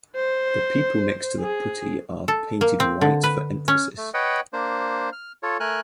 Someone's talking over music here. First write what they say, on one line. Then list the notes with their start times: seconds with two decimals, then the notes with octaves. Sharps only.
The people next to the putti are painted white for emphasis.
0.16 C5
1.40 G#4
2.28 A4
2.61 A#3
2.80 C4
3.01 D3
3.24 B4
3.68 C#4
3.97 A3
4.14 B4 C#5 D#5 F#5 G5
4.53 A#3 D4 C5
5.13 F6
5.43 F4 A4 C#5
5.60 A3 A#4 G#5 F6 F#6